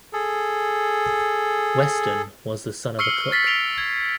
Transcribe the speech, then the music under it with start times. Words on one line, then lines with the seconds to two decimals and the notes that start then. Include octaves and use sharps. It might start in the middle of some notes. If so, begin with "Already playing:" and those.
Weston was the son of a cook.
0.13 G#4 A4
2.99 C#6 E6 F6 C7 C#7 G7
3.31 F6 A6 B6 C7
3.46 C7 D7 F7 G7
3.78 G#6